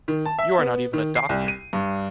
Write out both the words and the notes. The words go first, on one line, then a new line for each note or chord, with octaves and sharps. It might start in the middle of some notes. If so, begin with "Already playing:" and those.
You are not even a doctor!
D#3
A5
E5
B3
D#3
C7
C2
D#7
G2